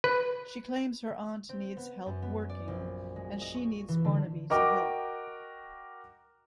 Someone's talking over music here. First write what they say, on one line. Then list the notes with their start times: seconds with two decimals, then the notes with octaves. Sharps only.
She claims her aunt needs help working, and she needs Barnaby to help.
0.04 B4
1.49 C4
1.77 B3
2.06 F#2
2.22 B3
2.49 D5
2.68 A#1
3.16 G#3
3.41 D#5
3.55 C#6
3.89 E3
4.05 D3
4.50 F#4 A#4 D#5 G5 D6